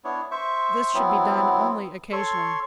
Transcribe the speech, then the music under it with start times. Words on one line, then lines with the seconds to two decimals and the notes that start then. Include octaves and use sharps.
This should be done only occasionally.
0.04 B3 D4 E4 C#5
0.31 C5 E5 C#6
0.94 F#3 B3 C4 E4
2.12 A4 C#5 C6 C#6